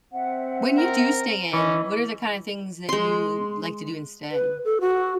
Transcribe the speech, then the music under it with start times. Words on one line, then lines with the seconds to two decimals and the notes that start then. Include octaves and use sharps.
when you do stay in, what are the kinda things that you like to do instead?
0.13 C4 E5 F#5
0.78 A#4
1.53 E3 C#4 D#5
2.89 G#3 C6
4.31 B4
4.65 A4
4.81 F#4